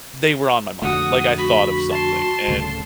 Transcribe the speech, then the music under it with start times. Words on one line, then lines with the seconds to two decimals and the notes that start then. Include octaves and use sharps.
they were on my mind. Like, I thought of something and,
0.82 F2 D3 A3 F#4 F#5 D#6
1.38 F#4 B5
1.91 A5 C6
2.48 D1 C#3 A3